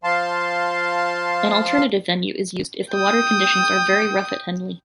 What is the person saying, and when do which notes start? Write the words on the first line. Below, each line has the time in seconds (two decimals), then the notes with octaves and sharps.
An alternative venue is used if the water conditions are very rough at Henley.
0.04 F3 F5 A5 C6
2.91 G5 D#6